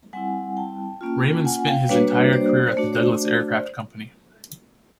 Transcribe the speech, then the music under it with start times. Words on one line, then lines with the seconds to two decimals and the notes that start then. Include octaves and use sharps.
Raymond spent his entire career at the Douglas Aircraft Company.
0.13 G3 C4 E4 F#5 G#5
0.57 G5 A5
1.01 A#3 C#4 F4
1.45 F#5 G#5
1.67 F5 G5
1.89 G3 A#3 D4 F#4 B4 C#5
2.33 C5 D5
2.77 A3 D4 F#4 D5
2.85 C#5
2.93 C5 D5